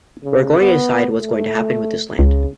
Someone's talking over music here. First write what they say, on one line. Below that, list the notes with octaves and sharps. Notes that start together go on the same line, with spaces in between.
We're going to decide what's going to happen with this land.
C#3
B3
A3
C#2 C#3